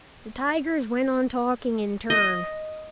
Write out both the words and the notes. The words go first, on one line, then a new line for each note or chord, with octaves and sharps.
The tigers went on talking in turn.
D#5